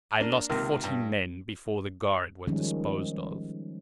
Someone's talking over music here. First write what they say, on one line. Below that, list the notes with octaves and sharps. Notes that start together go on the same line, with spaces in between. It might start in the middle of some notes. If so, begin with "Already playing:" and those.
I lost forty men before the guard was disposed of.
A#3 D4
C#2 C3 D#3 A#3 A#4
G2
D#3 F3 G3 G#3 C#4